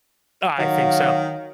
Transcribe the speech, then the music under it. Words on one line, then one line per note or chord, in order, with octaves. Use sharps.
I I think so.
D#3 F#3 F5